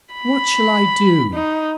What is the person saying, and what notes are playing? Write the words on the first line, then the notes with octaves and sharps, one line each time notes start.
"What shall I do?"
B5
D#4